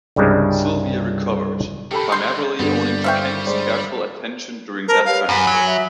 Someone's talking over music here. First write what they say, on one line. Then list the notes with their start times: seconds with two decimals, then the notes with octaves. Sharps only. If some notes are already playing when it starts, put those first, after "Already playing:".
Sylvia recovered, primarily owing to Kenny's careful attention during that transport.
0.16 C2 G2 C#3 G3 G#3
1.91 D3 D#3 G4 A4 B5
2.12 C6 G6
2.59 G2 D3 G3 B3
3.04 C5 E5 F5 G5 C#6
3.47 G#3 C5 D5
4.88 A#4 C5 A5
5.06 G4 B4 C#5 F5
5.29 F#2 F#5 G#5 B5
5.47 F#3
5.65 E5